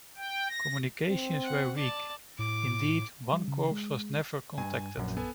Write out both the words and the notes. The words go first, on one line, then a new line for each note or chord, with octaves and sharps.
Communications were weak, indeed, one corps was never contacted.
G5
A#6
C4
F#5
D5 A5
A2 D6
G3
C#3
G#3
G2 G#5
A#1 F#2
B3 A4 G#5